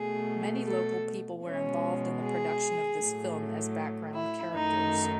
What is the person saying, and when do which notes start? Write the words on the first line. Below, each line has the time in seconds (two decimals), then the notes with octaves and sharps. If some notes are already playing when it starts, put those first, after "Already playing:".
Many local people were involved in the production of this film as background characters.
Already playing: B2 A3 G#4
0.67 A4
1.45 B2 G#3 C#4
2.23 G#4
2.99 A2 F#3 A3
4.14 E4
4.54 F#2 D#3 A3 D#4